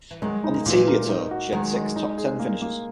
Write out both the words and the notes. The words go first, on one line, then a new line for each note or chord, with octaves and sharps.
On the Telia tour she had six top ten finishes.
E3
D#3 F#3 G#3
D#4
A#3
A#2 E3 G#3
A#4
D#4
F#4
D#3 F#3 G#3
G#3
D#4
G#4
A#3
A#3